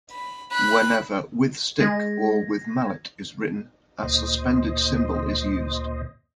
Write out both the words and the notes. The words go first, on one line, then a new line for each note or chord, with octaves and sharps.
Whenever "with stick" or "with mallet" is written, a suspended cymbal is used.
B5
B5 F#6
G#3 G#6 A#6
D2 A#2 C5 D#5